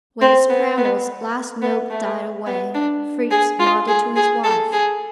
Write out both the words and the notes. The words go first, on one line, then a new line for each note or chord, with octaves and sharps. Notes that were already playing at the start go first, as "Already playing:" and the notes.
When the soprano's last note died away, Fritz nodded to his wife.
C4
B3
B3
B3
A3
B3
D4
G#4
F4
G#4
G#4
A4
G#4